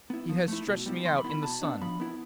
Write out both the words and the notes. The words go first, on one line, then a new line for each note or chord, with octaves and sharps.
He has stretched me out in the sun.
B3 E4
F3
A3 E4
B2
G3 B3 E4
E3 C6
B5
B3 E4
B5
B2 A5
B3 D4
F3 B5
B3 E4